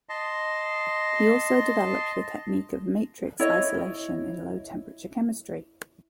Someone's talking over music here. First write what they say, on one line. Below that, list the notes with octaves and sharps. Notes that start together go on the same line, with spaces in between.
He also developed the technique of matrix isolation in low-temperature chemistry.
D#5 A5 C6
E4 C#5 D#5